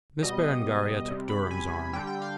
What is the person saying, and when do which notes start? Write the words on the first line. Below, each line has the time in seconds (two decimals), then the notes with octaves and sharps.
Miss Berengaria took Durham's arm.
0.23 B2 G3 D#5
1.08 C3 G3
1.29 B5
1.51 G#5
1.93 D3 G3 G5
2.07 G5
2.22 F5